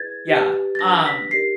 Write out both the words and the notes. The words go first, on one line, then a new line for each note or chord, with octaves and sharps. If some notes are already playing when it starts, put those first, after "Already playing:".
Yeah. Um,
Already playing: E4 G#4 B4 D5 G#6 A6
G4 B4 D5
A6
D4 F#4 B4 A#6
B6
D#4 G4 A#4 D5 C7